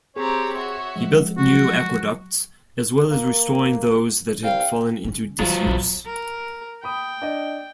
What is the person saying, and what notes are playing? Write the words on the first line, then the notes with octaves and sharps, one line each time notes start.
He built new aqueducts as well as restoring those that had fallen into disuse.
C4 G4 G#4 C#5 A#5
F#4 E5
F3 G#3
F#3 F#4
A#3
C2 F5 G5
C#3 C#4
E2 D#3 F#3 F4
A#1 E2
A#4
G5 B5 D#6
D4 D#5